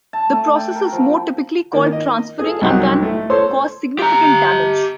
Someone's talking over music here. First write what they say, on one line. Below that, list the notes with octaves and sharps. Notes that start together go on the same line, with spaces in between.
The process is more typically called transferring and can cause significant damage.
A5
A3
G5
A#4
F3
D#3 A#3
D#5
G#4 A4
C2 F#3 D#4 F#5 G5
A2 A3
A4 C5 C#5 C6 C#6
G4 A#5